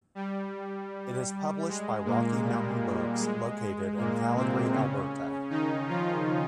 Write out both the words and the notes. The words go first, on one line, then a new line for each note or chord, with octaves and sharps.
It is published by Rocky Mountain Books, located in Calgary, Alberta.
G3
G#3
A#2 A#3
G3
G#3
A#2 A#3
C3 C4
C#3 C#4
D#3 D#4
F3 F4